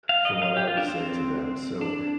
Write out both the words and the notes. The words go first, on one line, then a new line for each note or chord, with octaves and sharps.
from what I have to say to them.” So,
F5
D#5
F5
G4
F4
D4
C4
D4